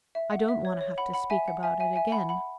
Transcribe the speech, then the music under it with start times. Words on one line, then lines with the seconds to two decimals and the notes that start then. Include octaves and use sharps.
I don't want to have to speak about it again.
0.15 E5
0.32 F#5
0.49 E5
0.65 C#5
0.81 C#5
0.98 F#5 B5
1.14 F#5 B5
1.30 E5 G#5
1.48 F#5
1.63 E5 G#5
1.80 E5 G#5
1.96 E5 G#5
2.12 F#5 B5
2.29 F#5 B5